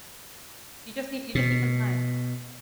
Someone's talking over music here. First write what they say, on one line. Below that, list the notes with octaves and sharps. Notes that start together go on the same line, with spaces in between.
You just need you just need some time.
B2